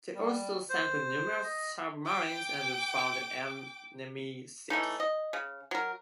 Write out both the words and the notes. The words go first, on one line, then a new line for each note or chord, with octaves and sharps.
They also sank numerous submarines and found enemy ships.
G3
C5
D#5
G5 D6
E3 A3 C#4 D#4
D#5
C#3
F#3 A#4